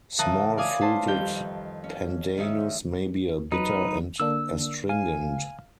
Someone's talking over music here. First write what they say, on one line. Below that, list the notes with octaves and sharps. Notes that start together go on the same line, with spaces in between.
Small-fruited pandanus may be bitter and astringent.
C#3 E3 A#4 A5 D#6 F#6
D5 F5 G#5 D6 D#6
B4 C5 A5
F2 D#3 G3 G4 G6
C#4
D#3 C#4 D#4 E4
F#3 D#4 B4
D3 A#3 D4 E6
F5 G#5